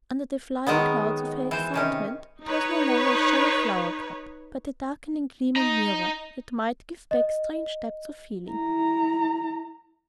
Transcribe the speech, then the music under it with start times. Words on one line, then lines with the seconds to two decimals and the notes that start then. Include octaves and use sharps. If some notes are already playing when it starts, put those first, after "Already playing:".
Under the flying clouds of her excitement it was no longer a shallow flower-cup but a darkening gleaming mirror that might give back strange depths of feeling.
0.67 D#3 F#3 G#3 B3
1.51 E3 C5
1.74 C3 D#3 C#4
2.44 D#4 B4 C#5
5.56 D#5 A#5
7.11 D#5
8.49 E4 A#5